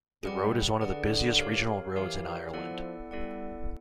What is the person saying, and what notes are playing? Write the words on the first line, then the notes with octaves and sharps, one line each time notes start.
The road is one of the busiest Regional Roads in Ireland.
G3 G#4 B4 D5 F#5
D3 G#4 B4 D5 F#5
G4 A#4 C#5 F5
E3 G4 A#4 C#5 F5
F3 B3 E4 A4 D5 F#5
G3 B3 E4 A4 D5 F#5